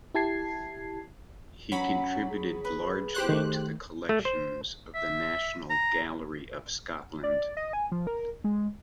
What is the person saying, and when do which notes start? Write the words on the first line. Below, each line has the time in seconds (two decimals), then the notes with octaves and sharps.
He contributed largely to the collections of the National Gallery of Scotland.
0.15 E4 G4 A5 G#6 C7
1.72 F#3 C#4 B5
2.30 G#4
2.65 B4
3.14 G4 C5 F#6
3.29 D#3 A3
4.09 A3
4.25 C5
4.95 E5
5.70 A#5
7.23 D5
7.57 D#5
7.73 G#5
7.92 F3
8.07 A#4
8.44 G#3